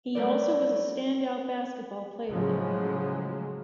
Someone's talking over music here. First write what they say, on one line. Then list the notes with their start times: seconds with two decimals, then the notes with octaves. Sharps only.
He also was a stand out basketball player there.
0.15 F#3 G3 A3 A#4 B4 D5
2.30 A2 C#3 F3 F#3 G#3